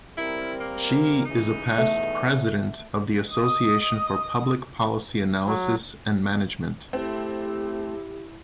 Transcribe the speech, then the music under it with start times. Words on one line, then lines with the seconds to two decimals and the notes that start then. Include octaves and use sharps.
She is a past president of the Association for Public Policy Analysis and Management.
0.17 G3 C4 E4 A#4
0.60 A#3
1.25 C#3 E3 D#4
1.78 E2 B2 A3
3.32 D#5 D#6
5.47 F#3
6.93 A3 C4 E4 G4